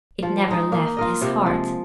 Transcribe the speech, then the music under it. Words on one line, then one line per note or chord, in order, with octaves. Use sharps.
It never left his heart.
F3
G#3 D#4
A#3
F4 A#4 D#5
C3
F3 G#3